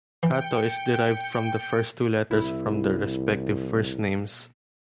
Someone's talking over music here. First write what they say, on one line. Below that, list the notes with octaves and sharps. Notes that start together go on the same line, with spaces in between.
"Kato" is derived from the first two letters from their respective first names.
E3 G5 C#7
C2 E4